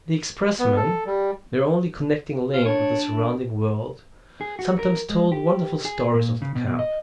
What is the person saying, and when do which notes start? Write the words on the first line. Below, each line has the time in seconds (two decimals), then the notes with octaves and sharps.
The expressman--their only connecting link with the surrounding world--sometimes told wonderful stories of the camp.
0.59 B3
0.76 A4
1.06 G3
2.53 F4
2.66 D4 C#5
3.11 A3
4.41 G#4
4.59 F#4
4.79 A#4
5.10 G#3
5.32 G4
5.85 G#4
6.14 A#2
6.42 C#3
6.55 B2
6.67 B2
6.79 D#5